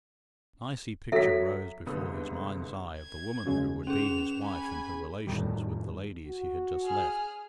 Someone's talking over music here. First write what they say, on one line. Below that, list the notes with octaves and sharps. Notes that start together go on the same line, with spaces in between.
An icy picture rose before his mind's eye of the woman who would be his wife in her relations with the ladies he had just left.
F#3 A4 E5 B6
G1 C2 G#2 D3 B4 D#6
G#6
F#2 C#3 G#3
C#4 G#4 E7 F7
G#5 B5
F2 A2 D#3 G3
F#4
G#4 F6